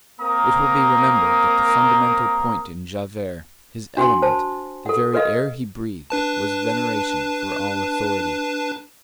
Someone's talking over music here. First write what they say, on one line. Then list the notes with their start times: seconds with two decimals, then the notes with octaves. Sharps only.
It will be remembered that the fundamental point in Javert, his element, the very air he breathed, was veneration for all authority.
0.20 A#3 C4 A#4 A#5 D#6
3.97 D4 F#4 F#5 G#5 C6
4.22 C5 A5
4.86 A4 F#5
5.14 A4 B4 D#5 F5
6.10 D4 B4 A5